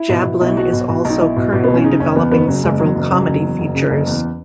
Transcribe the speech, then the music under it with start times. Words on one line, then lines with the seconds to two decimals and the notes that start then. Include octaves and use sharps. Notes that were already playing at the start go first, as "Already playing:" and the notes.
Jablin is also currently developing several comedy features.
Already playing: E4
0.09 B2
0.26 B2
0.41 B1
0.46 E4
0.57 B1 F#4
0.73 B2
0.89 B2 F#4
1.05 B1
1.10 D#4
1.21 B1 E4
1.36 B2
1.53 B2
1.64 B1 B3
1.74 C#4
1.84 C#3 D#4
2.00 F#1 C#4
2.16 E2 B3
2.32 F#1 B3
2.48 C#3 F#3
2.64 F#1 G#3
2.79 E2 F#3
2.95 F#1 F#3
3.11 C#3 F#3
3.27 F#1
3.43 E2
3.59 F#1
3.75 C#3
3.90 F#1
4.07 E2